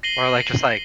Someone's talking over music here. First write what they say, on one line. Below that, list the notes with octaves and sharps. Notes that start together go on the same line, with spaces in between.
Or, like, just, like,
A#6 C7 D#7 F#7 G7